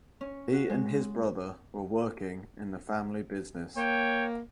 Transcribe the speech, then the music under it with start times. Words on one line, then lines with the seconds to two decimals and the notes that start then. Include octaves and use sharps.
He and his brother were working in the family business.
0.21 C#4
0.53 F#4
0.70 G#3
3.77 A#3 C#5 G5